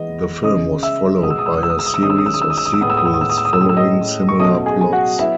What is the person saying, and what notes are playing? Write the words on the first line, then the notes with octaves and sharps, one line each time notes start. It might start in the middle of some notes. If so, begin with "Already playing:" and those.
The film was followed by a series of sequels following similar plots.
Already playing: E3 G#3 B3 D#5
C#3 G#3 C#4 D#5 D#6
E5 E6
B2 G#3 B3 D#6
E6
D#6
E6
D#6
E6
D#6
E6
D#6
E6
D#3 G#3 C#4 D#6
E6
D#6
E6
D#6
E6
D#6
E6
D#6
E6
A2 G#3 B3 D#6
E6
D#6
E6
D#6
E6
D#6
E6
D#6
E6
A2 G#3 C#4 D#6
E6
D#5 D#6
C#6
B2 F#3 A3 C#4 D#5 D#6
G#4 G#5
G#5
F#4 F#5
F#3 B3 E4 E5